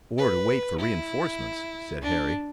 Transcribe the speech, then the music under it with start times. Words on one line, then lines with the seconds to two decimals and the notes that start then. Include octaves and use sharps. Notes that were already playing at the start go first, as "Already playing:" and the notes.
"Or to wait for reinforcements," said Harry.
0.18 B4
0.79 E4
2.02 D4